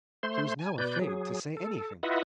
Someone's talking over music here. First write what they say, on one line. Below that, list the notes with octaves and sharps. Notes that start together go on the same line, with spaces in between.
He was now afraid to say anything.
A3 C5 C6
G#5
B2 B4 D5 G6
F#3 G#4
A4
E4 F4 B4 D#5 E5 F#5